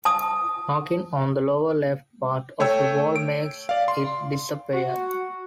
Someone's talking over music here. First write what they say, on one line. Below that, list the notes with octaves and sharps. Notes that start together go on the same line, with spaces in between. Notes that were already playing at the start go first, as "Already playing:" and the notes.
Knocking on the lower left part of the wall makes it disappear.
A5 D#6
A3 C#5 G5 E6
D7
D5 F5
C6
F#4